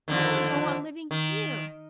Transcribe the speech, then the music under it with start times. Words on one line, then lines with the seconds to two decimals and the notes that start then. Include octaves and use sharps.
I want to go on living HERE.
0.08 F2 D3 D#3
1.11 D#3